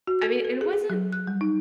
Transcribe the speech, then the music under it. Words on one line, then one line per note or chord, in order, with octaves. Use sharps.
I mean, it wasn't
F#4
A4
A4
G#4
G#4
F#3
F#6
G3
D#4